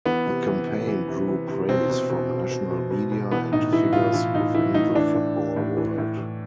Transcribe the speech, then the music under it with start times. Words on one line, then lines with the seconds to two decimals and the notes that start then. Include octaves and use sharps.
The campaign drew praise from national media and figures within the football world.
0.06 E3 B3
0.26 C3
0.47 E3
0.67 C3
0.87 E3
1.08 C3
1.28 E3
1.49 C3
1.69 B2 C4
1.90 B2
2.10 B2
2.29 B2
2.51 B2
2.71 B2
2.91 B2
3.12 B2
3.31 E3 B3
3.52 A2 D#4
3.73 E3 E4
3.93 A2 F4
4.13 E3 E4
4.34 A2 D#4
4.54 E3 E4
4.74 A2 D#4
4.95 E3 D4
5.15 A2
5.36 E3
5.56 A2
5.77 E3
5.98 A2
6.18 E3